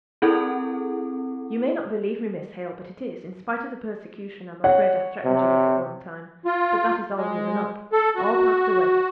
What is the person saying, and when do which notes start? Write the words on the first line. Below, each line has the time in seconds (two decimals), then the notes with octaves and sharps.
You may not believe me, Miss Hale, but it is--in spite of the persecution I'm afraid I threatened you with at one time--but that is all given up; all passed away.
0.22 C4 E4 G#4 A4 F#5
4.64 C#5 F#5
5.24 C3
6.45 F4
7.17 G#3
7.92 A4
8.16 F#4